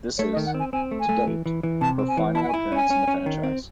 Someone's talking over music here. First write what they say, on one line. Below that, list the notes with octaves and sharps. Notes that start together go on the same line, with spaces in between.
This is, to date, her final appearance in the franchise.
A3 C#5
D#5
D#3
F#5
C4
G#5
C4 G#5
A3
G#5
A3
E3
E3
E3
C3 A5
C4
G#5
E3
E4 A5
F#5
G#5
E4
C#4 G#5
C#4
C#4
D#3
C4